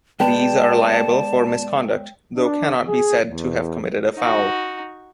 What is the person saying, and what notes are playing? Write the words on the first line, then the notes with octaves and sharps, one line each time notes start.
These are liable for misconduct, though cannot be said to have committed a foul.
G#3 B3 D5 G5 A5
D4
G#4
E2
D#4 F#4